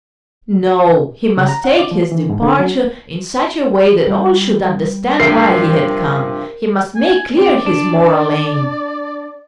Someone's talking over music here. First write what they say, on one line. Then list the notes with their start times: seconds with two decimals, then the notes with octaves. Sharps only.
No, he must take his departure in such a way that all should understand why he had come, he must make clear his moral aim....
1.37 C#3
1.49 A#5
1.64 F#5
1.79 D5
1.91 F3
2.12 E3
2.30 G#2
2.42 D3
2.59 F#3
4.07 G3
5.20 G2 C3 F3 A#4 E5 G5 C7
6.96 G#5
7.37 C4 D5
7.66 D4